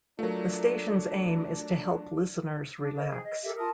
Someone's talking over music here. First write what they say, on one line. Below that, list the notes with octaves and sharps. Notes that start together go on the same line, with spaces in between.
The station's aim is to help listeners relax.
F#3 A3 D4 F4 A4 A#4
D4
A#4 C5 D#5
G#4 G5
D#5
G4 A4 A#4 E5
F4 A#4 A5 D#6